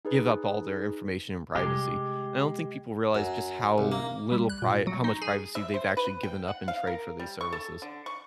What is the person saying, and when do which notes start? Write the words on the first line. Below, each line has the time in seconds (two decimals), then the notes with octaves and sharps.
give up all their information and privacy. I don't think people realize just how little pri how much privacy they've actually given up in trade for these services.
0.05 D#4 G#4 B4
1.55 C3 G3 G#3 G4
3.15 F#2
3.78 C2
3.92 A#3
4.32 G3
4.49 F#6
4.62 A#2
4.87 F#3
5.04 D#4
5.22 G#4
5.55 E5
5.74 C5
5.97 B4
6.23 G5
6.48 F#5
6.68 F5
6.87 A#4
7.19 G3
7.41 C#6
7.53 A4
7.82 D3
8.06 C#6